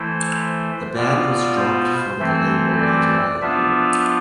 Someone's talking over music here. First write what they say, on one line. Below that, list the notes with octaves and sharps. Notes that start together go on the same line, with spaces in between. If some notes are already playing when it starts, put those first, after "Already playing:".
The band was dropped from the label later that year.
Already playing: E3 A3 E4 C5
C5
B2 B3 F4 D5
C5
E3 A3 C4
D5
F3 B3 D4 F4 E5